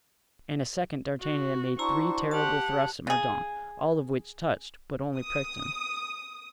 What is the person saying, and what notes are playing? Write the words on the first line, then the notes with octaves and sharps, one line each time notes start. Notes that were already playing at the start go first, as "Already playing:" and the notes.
In a second D'Artagnan had made three terrible thrusts at Mordaunt, all of which touched, but only pricked him.
F#4
D4 E4 F#4 C5 A#5 C#6
G4 F#5 A5
C#3 G#4
D#6